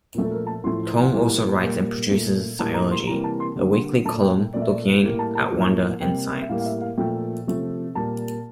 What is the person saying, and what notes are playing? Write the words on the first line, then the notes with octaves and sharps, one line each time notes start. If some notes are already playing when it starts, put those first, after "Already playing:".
Tong also writes and produces "Ziyology", a weekly column looking at wonder and science.
A#2 F3 A3
A4
A#4
A5
A2 F3 A3 C6
A2 E3 G3 A#3
A#2 G3 A#3
A#2 A3
A2 G3 A#3 A5
A#5
C6
C3 E3 G3 A#3 A#5
A5
C6
D3 G3 A#3
C6
A#2 A3 A5
G5
A#2 A3 D5
E5
D5
A2 G3 A#3
A5
A5
A2 F3 A#3
C3 G3 A#3 G5
E5
A2 G3 A#3 F5
F5
E5
F5
A#2 F3 A3 G5
C3 F3 A3
A#2 G3 A#3 A5